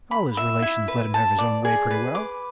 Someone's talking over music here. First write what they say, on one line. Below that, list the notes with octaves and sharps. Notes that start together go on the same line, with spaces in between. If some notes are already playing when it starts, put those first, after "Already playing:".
All his relations let him have his own way pretty well.
B5
E5
E4
B4
A5
D5
G#4
B4
D6